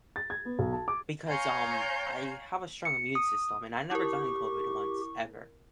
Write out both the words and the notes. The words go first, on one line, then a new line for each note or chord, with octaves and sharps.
Because, um, I have a strong immune system and I've never gotten COVID once ever.
A6
G#6
B3
B1
A5
D6
C#5 F5 G#5 A#5 C6 G6
C#7
D#6
E4 G4 A#4 C#6